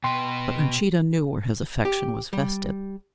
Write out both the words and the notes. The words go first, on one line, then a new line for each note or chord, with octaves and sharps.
But Uncheedah knew where his affection was vested.
B2 B4 G5 C6
G4
G3